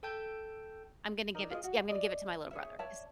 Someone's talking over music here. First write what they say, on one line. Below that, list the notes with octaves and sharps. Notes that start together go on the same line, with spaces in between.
I'm gonna give it t yeah, I'm gonna give it to my little brother. His
A4 G5 A5 G6
D#4 A#4 D5
F4 G#4 C#5 D#5
F#4
D5 D#5
G#4 C#5 E5
C#5 D5 E5 A5